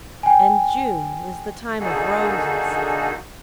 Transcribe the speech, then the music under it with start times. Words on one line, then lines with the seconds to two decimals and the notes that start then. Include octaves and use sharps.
And June is the time of Roses.
0.23 G5 G#5
1.80 D3 A#3 D#4 F#4 G#4 A4